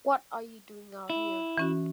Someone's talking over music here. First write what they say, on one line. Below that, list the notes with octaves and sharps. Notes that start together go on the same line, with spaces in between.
What are you doing out here.
E4
E3 C#4 F#4